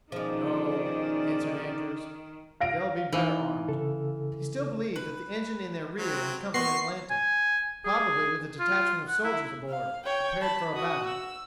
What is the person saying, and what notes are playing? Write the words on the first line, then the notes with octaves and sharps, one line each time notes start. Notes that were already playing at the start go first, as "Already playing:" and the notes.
"No," answered Andrews; "they'll be better armed." He still believed that the engine in their rear had come from Atlanta--probably with a detachment of soldiers aboard, prepared for a battle.
B2 D#3 F3 G#3 C#4 D#4 G#4 D5
F5 A#6 D7
E3 D#4
C#3 A4
B4
F#3 C4
A#3 B3 F#4 C6 C#6 C7
G#5
G#4
F4
F#5
E4
F5
C#5 G5
A5 B5
F#4 D#6
E6